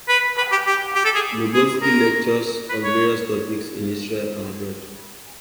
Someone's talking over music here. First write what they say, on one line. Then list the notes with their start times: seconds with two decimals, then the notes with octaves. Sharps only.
Lubotzky lectures on various topics in Israel and abroad.
0.08 B4
0.37 B4
0.51 G4
0.66 G4
0.95 G4
1.05 A4
1.15 G#4
1.54 G#4
1.82 A#4
2.69 B4
2.84 C#5